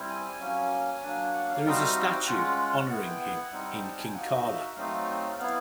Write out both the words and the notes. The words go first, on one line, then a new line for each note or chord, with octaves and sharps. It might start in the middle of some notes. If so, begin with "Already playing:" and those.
There is a statue honoring him in Kinkala.
Already playing: G3 C4 E4
G#5
F#3 A#3 C#4
F#3 A#3 D4
F#5
F5
G3 C4 D#4 F#4 F5
E5
F5
G5
G#3 C#4 F4 F#5
B3 E4 F#5
G5
F#5
G3 C4 D#4
A5
G#5
G5
A#3 D#4 F#4 F#5
D#5
E5
F#3 A3 C4 D#4 F5
B3 E4 F5